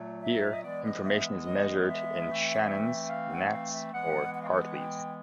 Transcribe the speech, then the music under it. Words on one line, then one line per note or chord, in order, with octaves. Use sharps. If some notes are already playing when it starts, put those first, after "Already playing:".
Here, information is measured in shannons, nats, or hartleys.
Already playing: A#2 F#3 A3
E5
D#5
E3 G#3 B3 D5
D#5
E5
D#5
D#5
E5
E3 A3 C4
F5
F#5
F5
E5
E3 G#3 B3 F#5
F#5
F5
F#5
G5